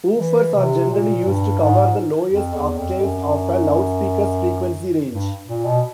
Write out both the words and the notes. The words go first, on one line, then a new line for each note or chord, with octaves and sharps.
Woofers are generally used to cover the lowest octaves of a loudspeaker's frequency range.
E3
C3
A#2
G2
G#2
F2
E2
F2
F#2
G2
A#2
B2